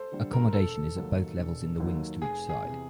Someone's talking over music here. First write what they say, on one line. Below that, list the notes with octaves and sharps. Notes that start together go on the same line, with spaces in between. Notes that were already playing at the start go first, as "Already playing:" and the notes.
Accommodation is at both levels in the wings to each side.
Already playing: A4 C5
D3 G3
A#4
E1 A4
D#2 D#3 F#3
E1
D#2 D#3 F#3
F1 G#4
G#4
E2 C3